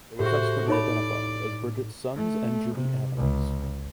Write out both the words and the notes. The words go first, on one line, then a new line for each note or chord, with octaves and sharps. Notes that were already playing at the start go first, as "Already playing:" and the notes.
They were subsequently identified as Bridget Sons and Judy Adams.
A2 F#4 G4 C5
D#4 C#5 D5 B5
A3
C3
C#2